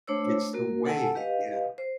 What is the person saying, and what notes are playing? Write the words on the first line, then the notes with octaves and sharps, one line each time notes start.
it's the way, yeah.
A3 D4 C5 C#5 E6
A#3 F#4 A#4
A4 F#5 G#5 A5 E6
G4 B4 D#5 F5
C5